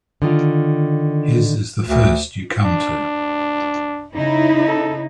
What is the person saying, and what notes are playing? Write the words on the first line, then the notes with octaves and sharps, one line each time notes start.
His is the first you come to.
D3 D#3 F4
D2
D4
C#3 D#4 E4
A4